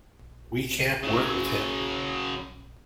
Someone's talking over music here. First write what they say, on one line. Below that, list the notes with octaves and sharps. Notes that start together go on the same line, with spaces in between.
We can't work with him.
C#3 F#3